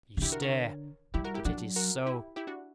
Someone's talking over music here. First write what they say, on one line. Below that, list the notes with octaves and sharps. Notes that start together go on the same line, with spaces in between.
You stare. But it is so.
C#3
D3 E4 G4
F#4 A#4
A#4 C#5
G3 E4 G4
F#4 A#4
E4 G4
F#3 D4 F#4
F#4 A#4
E4 G4
E4 G4
D4 F#4